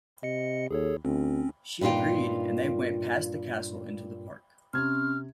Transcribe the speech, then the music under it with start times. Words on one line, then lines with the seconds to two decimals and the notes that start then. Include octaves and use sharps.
She agreed, and they went past the Castle into the Park.
0.23 C3 D#5 C#7
0.71 D#2 G#4 A4 C#5
1.05 D2 C4 C#4
1.81 G2 A#2 D#4 F4 G5
4.74 C3 C4 C#4 F6 G#6